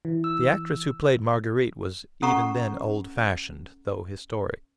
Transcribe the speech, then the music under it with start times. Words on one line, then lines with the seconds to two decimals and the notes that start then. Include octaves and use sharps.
The actress who played Marguerite was even then old-fashioned, though historic.
0.05 E3
0.24 E6
2.22 C#4 A4 F#5 A#5 C#6